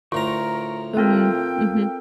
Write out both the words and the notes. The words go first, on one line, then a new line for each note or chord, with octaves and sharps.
Mm, mhm.
D2 A2 F4 A#4 A#5 C#6
C4 F4 A4 A#4 G5